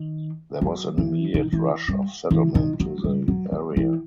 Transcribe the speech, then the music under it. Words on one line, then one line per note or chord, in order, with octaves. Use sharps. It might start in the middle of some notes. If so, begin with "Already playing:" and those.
There was an immediate rush of settlement to the area.
Already playing: D#3
F#3
E3
D#3
E3
G3
E3
D#3
F#3
G3
F#3
F#3
E3